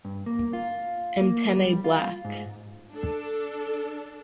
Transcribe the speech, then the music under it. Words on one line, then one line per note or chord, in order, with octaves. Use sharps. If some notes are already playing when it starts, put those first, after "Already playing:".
Antennae black.
G2
A#3
F4
A#3
G3
F4
G#2
D4 A4